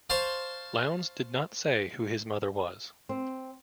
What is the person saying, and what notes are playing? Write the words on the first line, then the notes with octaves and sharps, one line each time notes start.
Lowndes did not say who his mother was.
C5 F5 A5 C6 C#6
C4